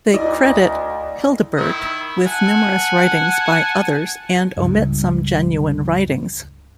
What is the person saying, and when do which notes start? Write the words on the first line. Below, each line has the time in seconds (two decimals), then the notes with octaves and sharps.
They credit Hildebert with numerous writings by others and omit some genuine writings.
0.14 D2 E4 D5 D#5
1.57 D#3 E4 E6
2.26 F#5 G#5 A5
4.57 C#2 G2